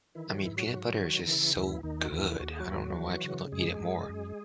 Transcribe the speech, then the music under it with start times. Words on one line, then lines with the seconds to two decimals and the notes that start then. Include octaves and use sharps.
I mean, peanut butter is just so good. I don’t know why people don’t eat it more.
0.15 D#3 E3 E4
0.29 F#3 F#4
0.43 G#2 E3 E4
0.57 F#3 F#4
0.71 G#2
0.99 D#3
1.27 C#3 E3 E4
1.56 D#2 E3 E4
1.83 D#2 D#3 D#4
2.05 F#4
2.12 D#2 E3 E4
2.40 D#2 F#4
2.50 G#4
2.59 F#3 F#4
2.68 D#2
2.96 E3
3.24 C#3
3.52 F#2 G#3 G#4
3.80 F#2
4.09 F#2